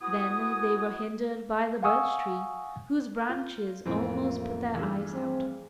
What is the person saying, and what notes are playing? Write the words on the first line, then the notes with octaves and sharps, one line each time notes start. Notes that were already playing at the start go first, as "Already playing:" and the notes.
Then they were hindered by the birch-trees, whose branches almost put their eyes out.
B3 E4 F#4 G#5 D#6
F5 F#5 G#5 C#6 D#6 E6
F4 G6
A1 F2 E3 A#3 C4
E2 G2 G#4 E6
C4